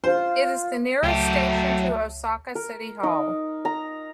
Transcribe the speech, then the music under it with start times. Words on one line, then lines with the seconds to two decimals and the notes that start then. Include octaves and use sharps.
It is the nearest station to Osaka City Hall.
0.04 F4 C5
1.03 C#2 F#3 A3 G5
2.55 A#4
3.03 D#4
3.65 A#5